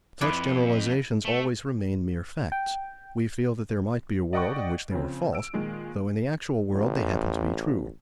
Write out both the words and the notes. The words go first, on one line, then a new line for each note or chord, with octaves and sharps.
Such generalizations always remain mere facts: we feel that there might be a world in which they were false, though in the actual world they happen to be true.
F2 E4 B4 D5
A3
G5
D5 D#5 F#5 G5 C#6
C#3 F3 C4
E6 D7
A#2 D#3 G#3
A1